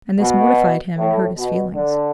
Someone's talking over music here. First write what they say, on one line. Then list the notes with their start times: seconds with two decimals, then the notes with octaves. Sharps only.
And this mortified him and hurt his feelings.
0.20 B2
0.98 A2
1.37 B2
1.75 D3